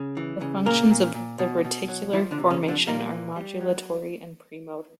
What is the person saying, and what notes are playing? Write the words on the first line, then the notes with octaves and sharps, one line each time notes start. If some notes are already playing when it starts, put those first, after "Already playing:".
The functions of the reticular formation are modulatory and premotor.
Already playing: C#3
E3
C#3
A#2 A#3 A#4
A#2
A#2
B2
B2
F#3
E3 F3 E4
D3 D4
C3
C#3 C#4
F3
D3 D4
A#2 G3 A#3
E3
G3
F#3